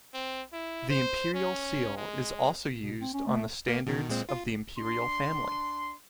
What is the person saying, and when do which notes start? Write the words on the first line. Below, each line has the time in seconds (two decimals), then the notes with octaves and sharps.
The Imperial Seal is also used on the standards of the Imperial Family.
0.14 C4
0.53 E4
0.90 C5
1.34 C#4
1.97 G#3
2.82 B2
3.01 C4
3.14 C#4
3.27 A3
3.68 A#3
3.87 B2 D#3
4.09 A#2 G#3 C4
4.29 F4
4.78 D4 C6